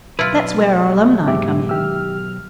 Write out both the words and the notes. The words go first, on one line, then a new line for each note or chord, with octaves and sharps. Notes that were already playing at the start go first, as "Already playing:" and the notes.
That's where our alumni come in.
B1 E4 F4 B4
G#2 G4 E5 D6
D#3 G4 E6 F6